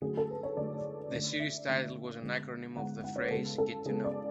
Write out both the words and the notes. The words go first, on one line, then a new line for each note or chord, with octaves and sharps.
The series title was an acronym of the phrase "Get To Know".
D3 F#3 A3 G#4
A4
B4
C#5
D3 F#3 A3 D5
D3 A3 D5
E5
D3 A3
D3 G#3 B3
D3 G#3 B3 F#5
F#5
C#5
B4
C#3 G#3 B3 A4
A4
C#3 G#3 B3 G#4
D5